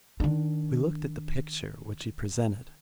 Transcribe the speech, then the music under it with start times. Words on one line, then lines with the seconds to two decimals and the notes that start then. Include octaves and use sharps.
We looked at the picture which he presented.
0.20 D#3 D4